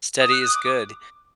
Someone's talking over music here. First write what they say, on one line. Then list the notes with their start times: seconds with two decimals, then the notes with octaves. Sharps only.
Steady is good.
0.21 D#6
0.32 F#6
0.44 D#6
0.54 D6